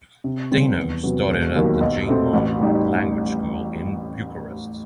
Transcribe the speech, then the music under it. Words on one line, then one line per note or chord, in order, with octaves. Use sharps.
Dinu studied at the Jean Monnet language school in Bucharest.
C3
D#3 G3 C4
E2
C3 F#3 B3 F#4
E1
D#2 D#3 F#3
B1
B2 A3 C4
A1
A2 G3 D#4 G4